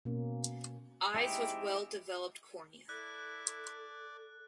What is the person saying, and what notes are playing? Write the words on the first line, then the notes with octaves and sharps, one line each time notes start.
Eyes with well developed cornea.
B2 A#3 C#4
G#3 C4 D#4 E4 G4
E4 A4 D5 F#6